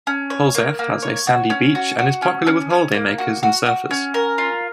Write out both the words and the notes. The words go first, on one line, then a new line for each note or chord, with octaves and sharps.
Polzeath has a sandy beach and is popular with holiday-makers and surfers.
C#4
C#5
A#3
A#3
C#5
F#4
C#4
F#4
F#4
C#4
C#4
C#4
A#3
F#4
F#4
F#4
C#4
A#4
F4